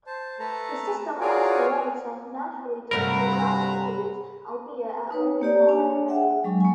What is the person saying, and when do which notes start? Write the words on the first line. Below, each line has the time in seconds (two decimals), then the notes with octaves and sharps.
The system also lent itself naturally to photographic images, albeit at only moderate resolution.
0.07 C5 A5
0.39 A3 A4 B4 A5 A#5
1.20 F4 F#4 G#4 A#4 C#5 D5
2.91 G2 C3 A3 F#4 A#4 F5 A#5 B5
5.11 D#4 B4 C#5
5.41 A#3 G4 D5
5.69 D4 C#5 G#5
6.08 G#4 E5 F#5 G5
6.44 F#3 G#3 D4 C#6
6.60 A#3 G#5